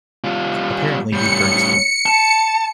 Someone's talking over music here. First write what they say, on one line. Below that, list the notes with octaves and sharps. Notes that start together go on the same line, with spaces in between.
Apparently he burnt them.
G3 F4
A2 G3 C#7
A5